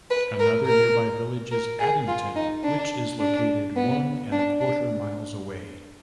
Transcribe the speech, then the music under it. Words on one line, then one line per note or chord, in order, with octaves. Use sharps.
Another nearby village is Addington, which is located one and a quarter miles away.
B4
A#4
A#4
A#4
G#4
F4
D#4
D4
D4
B3
D4
D4